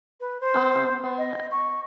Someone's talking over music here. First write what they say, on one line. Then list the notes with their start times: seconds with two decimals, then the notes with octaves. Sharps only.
Um, uh,
0.20 B4
0.41 C5
1.18 D#5
1.51 C#6